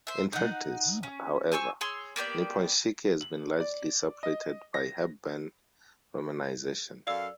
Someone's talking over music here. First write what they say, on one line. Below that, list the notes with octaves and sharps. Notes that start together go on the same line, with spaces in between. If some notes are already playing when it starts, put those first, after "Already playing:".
In practice, however, Nippon-shiki has been largely supplanted by Hepburn romanization.
C5 E5
D#4 F#5
C#4
C5 G#5 C#6 E6
G#4 C#5 C6 E6
A#3 B3 G4 D5
F#7
D5
D#5
A#6
F#2 A4 D5 F5 E6